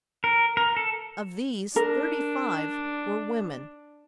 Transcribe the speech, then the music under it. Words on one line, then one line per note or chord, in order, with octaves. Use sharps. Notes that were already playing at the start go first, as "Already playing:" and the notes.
Of these thirty-five were women.
A#4
A#4
A4
D4 A#4